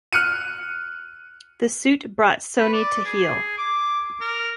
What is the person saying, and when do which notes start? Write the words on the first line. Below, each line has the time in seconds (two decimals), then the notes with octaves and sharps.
The suit brought Sony to heel.
0.13 F6 F#6 C#7 D#7
2.58 B4
2.73 D5
3.05 G#4
3.58 D6
4.21 A#4